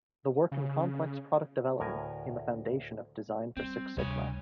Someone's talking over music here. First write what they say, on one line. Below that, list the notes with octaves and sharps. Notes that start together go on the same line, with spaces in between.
The work in complex product development became a foundation of "Design For Six Sigma".
C#3
D2 A2 A#4 G#5
G3 C4
D2 C3 G3 C#5